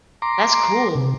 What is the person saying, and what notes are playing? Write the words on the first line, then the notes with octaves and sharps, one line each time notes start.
That's cool.
A#5 C6 D6
C3